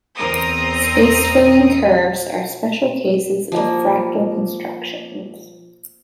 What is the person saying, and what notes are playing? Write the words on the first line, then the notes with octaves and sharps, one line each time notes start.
Space-filling curves are special cases of fractal constructions.
E2 C4 A#4 A#5 D#6
F3 A#3